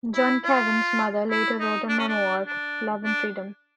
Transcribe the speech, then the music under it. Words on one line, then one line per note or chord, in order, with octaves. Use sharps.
Jan Kavan's mother later wrote a memoir, "Love and Freedom".
E4
F4
E4
D#4
D4
C#4
D4
D4
D4